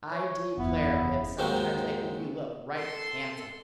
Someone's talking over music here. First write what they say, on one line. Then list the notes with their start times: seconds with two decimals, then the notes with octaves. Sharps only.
"I declare, Bibbs, sometimes lately you look right handsome!"
0.12 C#5
0.57 F#1 E2 B3 E4
1.39 D#2 G#2 F#3 G#3 C4
2.77 A4 C6